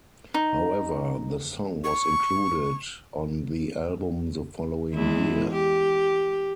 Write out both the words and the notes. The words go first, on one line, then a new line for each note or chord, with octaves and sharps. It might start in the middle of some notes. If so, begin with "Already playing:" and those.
However, the song was included on the album the following year.
D#4
C#6
E2 G#3 E4
G4